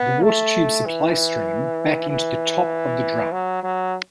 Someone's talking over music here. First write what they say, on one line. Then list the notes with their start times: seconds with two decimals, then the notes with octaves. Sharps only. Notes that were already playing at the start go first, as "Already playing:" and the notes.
The watertubes supply steam back into the top of the drum.
Already playing: B3
0.23 A3
0.86 E3
2.10 E3
3.32 F#3
3.63 F#3